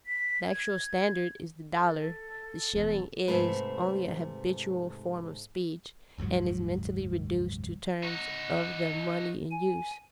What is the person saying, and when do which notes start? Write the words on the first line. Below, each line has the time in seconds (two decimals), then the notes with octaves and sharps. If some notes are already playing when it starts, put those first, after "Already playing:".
The actual standard is the dollar; the shilling is only a habitual form of speech and is mentally reduced to terms of the money in use.
0.06 B6
0.48 G#6
1.71 A4
2.73 E1 E2
3.28 G#2 C3 A3 B4
6.18 F#1 D#2 G#2 F#3
8.03 D#4 F#4
9.51 G#5